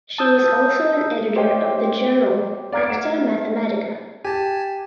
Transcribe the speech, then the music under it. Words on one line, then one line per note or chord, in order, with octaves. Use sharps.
She was also an editor of the journal "Acta Mathematica".
A5 D#6 E6 G6
G4 C5 C#5 D#5 F5 G5
D5 F5 A#5 F6 G#6 D7
A3 F#5 E7
G4 G#5 A5